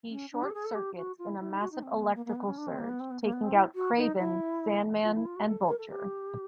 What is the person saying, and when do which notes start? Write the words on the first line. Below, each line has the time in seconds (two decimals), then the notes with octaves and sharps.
He 'short circuits' in a massive electrical surge, taking out Kraven, Sandman and Vulture.
0.11 C#4
0.32 D4
0.43 G4
0.50 A4
0.54 G#4
0.65 A4
0.75 G4
0.97 F#4
1.19 F4
1.28 E4
1.40 E4
1.50 D#4
1.60 F#4
1.72 D#4
1.83 C4
1.93 B3
2.04 A#3
2.15 A#3
2.25 A#3
2.35 B3
2.47 C#4
2.58 D4
2.68 C4
2.78 A#3
2.89 B3
3.00 C4
3.11 B3
3.22 A#3
3.33 B3
3.44 C4
3.54 E4
3.75 F#4
3.97 D#4
4.19 E4
5.04 F4
5.15 E4
5.26 F4
5.36 F#4
5.47 A4
5.68 A#4
5.78 A4
5.90 G4